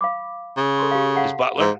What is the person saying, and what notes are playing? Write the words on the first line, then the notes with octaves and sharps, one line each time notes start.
His butler?
F5 B5 D6
C#3
A4 C6
G4 F5
F5 F#5 A5
G#2